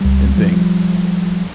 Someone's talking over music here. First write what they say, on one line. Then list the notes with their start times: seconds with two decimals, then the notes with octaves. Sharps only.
and think
0.01 C#2 G3
0.36 F3 G3